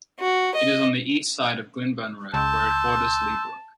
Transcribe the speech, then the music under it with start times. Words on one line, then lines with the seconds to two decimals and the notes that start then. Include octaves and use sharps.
It is on the east side of Glynburn Road, where it borders Leabrook.
0.20 F#4
0.55 D#5
2.34 C#2 A5 C6 E6 G6